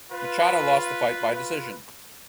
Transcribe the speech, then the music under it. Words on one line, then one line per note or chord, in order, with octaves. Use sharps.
Machado lost the fight by decision.
F4 B4